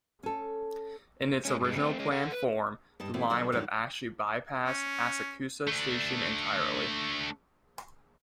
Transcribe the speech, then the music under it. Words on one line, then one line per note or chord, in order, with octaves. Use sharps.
In its original plan form, the line would have actually bypassed Asakusa Station entirely.
C#4 A4
G#3 C#4
G2 G#3
A3 C4
G#3 C#4
A4 F#5
B4
G2 D#5 A5
E3 A3 B3 C4 E4
A#2 D3 F#3 F#4 D5
F2 G#2 D3 F3 F#3
C#4
A3 D4